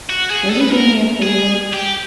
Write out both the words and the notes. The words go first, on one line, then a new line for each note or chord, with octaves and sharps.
Will you do me a favour?
F#4
G#4
A4
B4
A#4
G#4
G4